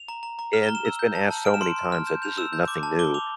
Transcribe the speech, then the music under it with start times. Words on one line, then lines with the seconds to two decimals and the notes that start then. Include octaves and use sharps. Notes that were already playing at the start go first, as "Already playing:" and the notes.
and it's been asked so many times that this is nothing new,
Already playing: F7
0.08 A#5
0.23 A#5
0.39 A#5
0.53 F6
0.63 G7
0.69 A#5
0.75 E7
0.85 E6
0.99 G6
1.15 A5
1.31 A5
1.45 F6 D7
1.54 E7
1.61 C6 D7
1.76 C6
1.92 F6
2.06 G6 E7
2.22 G6 F7
2.38 E6 E7
2.53 G6
2.68 D6
2.83 A5
2.99 D6 G7
3.14 D6 F7